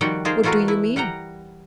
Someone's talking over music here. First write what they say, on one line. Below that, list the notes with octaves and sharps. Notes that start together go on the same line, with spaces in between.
"What do you mean?"
D#3 F3 G3 F#4 F#5 G5
D#4 F4 G#4 A#4 C5
E3 A3 F4 F#4 A#4 B4
E4
G3 F#5 G5 A#5